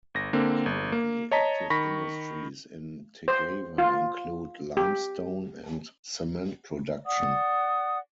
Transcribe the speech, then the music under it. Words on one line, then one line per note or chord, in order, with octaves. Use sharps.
Currently active industries in Tagawa include limestone and cement production.
G1 A#6
D3 A#3 C4
G1
A#3
C#5 D#5 A5 A#5 B6
D#3 B5 C#6 A#6 B6
C5
F4
G4
D5 F#5 D#6